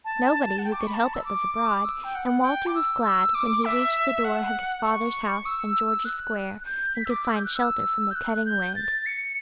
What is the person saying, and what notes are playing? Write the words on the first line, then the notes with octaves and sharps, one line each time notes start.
Nobody who could help it was abroad, and Walter was glad when he reached the door of his father's house in George's Square and could find shelter from the cutting wind.
A5
F#5
G5
D6
C#6
B5
A5
E6
D6
D6
E6
G5
F#5
G5
D6
E6
E6
D6
E5
E5
F#5
C#6
E6
F#6
F#6
G6
B6
E6
D6
E6
G6
F#6
E6
G6
F#6
G6
A6
C#7